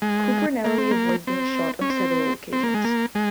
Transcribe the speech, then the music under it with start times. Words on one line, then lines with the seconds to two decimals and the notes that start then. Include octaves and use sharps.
Cooper narrowly avoids being shot on several occasions.
0.02 G#3
0.65 A#3
0.78 C4
0.91 A#3
1.27 C4
1.81 C#4
1.90 C4
2.53 C4
2.64 A#3
2.74 G#3
2.84 A#3
3.15 G#3